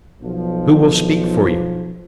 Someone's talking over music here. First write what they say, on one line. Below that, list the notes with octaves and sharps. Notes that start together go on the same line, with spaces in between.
"Who will speak for you?"
B1 F3